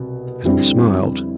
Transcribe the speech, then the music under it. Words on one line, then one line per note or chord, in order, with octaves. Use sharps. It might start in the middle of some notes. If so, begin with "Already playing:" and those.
Adam smiled.
Already playing: C2 B2 B3
F2 D3 G3 C4 E4